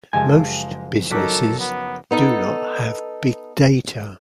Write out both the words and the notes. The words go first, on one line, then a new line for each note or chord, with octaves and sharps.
Most businesses do not have big data.
F#1 F3 G#3 G4 G#5 A5
F#3 D#4 A4 A#4 D6 F#6 B6
B3
B3 D#4 A4